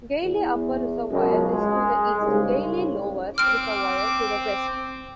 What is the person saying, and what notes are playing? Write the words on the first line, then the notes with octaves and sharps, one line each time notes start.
Gailey Upper Reservoir is to the east; Gailey Lower Reservoir to the west.
E2
C#2 F#2 B2
G#3
C2 G#2 C#3
C4 D6 F6 D7